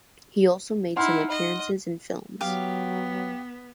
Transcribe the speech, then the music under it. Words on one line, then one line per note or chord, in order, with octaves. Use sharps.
He also made some appearances in films.
D#4 E4 F#5 C6 F6
D#5
F#3 B3 G4 F5